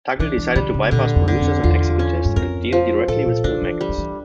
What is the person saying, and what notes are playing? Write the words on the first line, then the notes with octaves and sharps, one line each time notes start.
Tuggle decided to bypass producers and executives and deal directly with filmmakers.
E3 D4
E3
D3 G3
C#3
A#2 D3
F2
D3
F2
E2 F4
C#4
G2
F2 A#4
F3
A2 A4
A#2
D3 D4
E3
G3
F3
E3